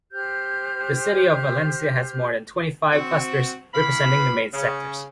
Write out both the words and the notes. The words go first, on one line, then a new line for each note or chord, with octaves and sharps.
The city of Valencia has more than twenty-five clusters representing the main sectors.
G4 C5 F6 G6
C4 F#4
E3 B3 F5 B5
C#3